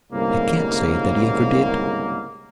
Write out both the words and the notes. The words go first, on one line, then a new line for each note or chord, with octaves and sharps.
"I can't say that he ever did."
G1 C2 G#2 C#3 A#3